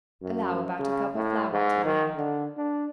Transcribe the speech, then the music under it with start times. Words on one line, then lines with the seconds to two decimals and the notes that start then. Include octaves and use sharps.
Allow about a cup of flour to an egg.
0.22 F#2
0.80 C#3
1.15 A2
1.53 G#2
1.85 D#3
2.16 D3
2.57 D4